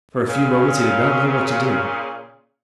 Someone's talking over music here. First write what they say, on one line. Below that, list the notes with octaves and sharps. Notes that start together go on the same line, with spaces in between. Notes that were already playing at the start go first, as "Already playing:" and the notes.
For a few moments he did not know what to do.
A#2 C#3